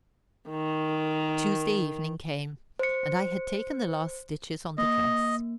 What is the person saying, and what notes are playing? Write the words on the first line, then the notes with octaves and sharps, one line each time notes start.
Tuesday evening came, and I had taken the last stitches on the dress.
D#3 A#4
C5 C#7
A#3 D#5